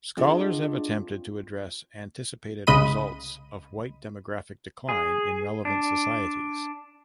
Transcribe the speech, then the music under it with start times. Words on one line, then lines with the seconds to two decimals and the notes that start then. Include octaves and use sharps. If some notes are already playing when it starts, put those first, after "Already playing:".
Scholars have attempted to address anticipated results of white demographic decline in relevant societies.
0.17 G#3 C4 D4 F4 F#5
2.67 C2 C#3 G#3 D#5 B5 D#7
4.89 G#4
5.65 D4